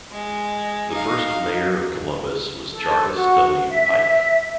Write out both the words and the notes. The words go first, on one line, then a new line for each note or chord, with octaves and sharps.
The first mayor of Columbus was Jarvis W. Pike.
G#3
D#4 F5
A4
F#4
E5